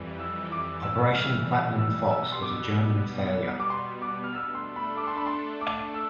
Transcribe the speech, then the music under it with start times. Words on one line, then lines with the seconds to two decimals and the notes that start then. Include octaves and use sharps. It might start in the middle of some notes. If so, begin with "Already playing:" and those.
Operation Platinum Fox was a German failure.
Already playing: F2 E3 G3
0.20 E6
0.52 D6
0.83 E6
1.15 F6
1.78 B2 G3 B3 E6
2.11 E6
2.32 C6
2.43 D6
3.60 D6
3.70 C6
4.02 D6
4.24 F6
4.34 A3 D4 A4 E6
4.55 C6
4.76 B5
4.97 D6
5.07 C6
5.17 B5
5.27 C6
5.61 D6
5.94 E6